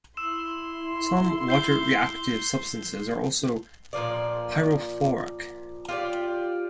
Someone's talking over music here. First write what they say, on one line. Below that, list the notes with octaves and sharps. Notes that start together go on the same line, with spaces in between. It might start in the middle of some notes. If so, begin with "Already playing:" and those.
Some water-reactive substances are also pyrophoric.
E4 C6 E6 E7
G6 C7 G7
A#2 D#3 F3 D5
F4 G4 C#5 D5